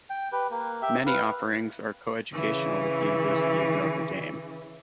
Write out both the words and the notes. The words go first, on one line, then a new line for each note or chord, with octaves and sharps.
Many offerings are coeducational with the University of Notre Dame.
G5
G4 B4
A#3
G4 E5
B4 F5
C#3 E3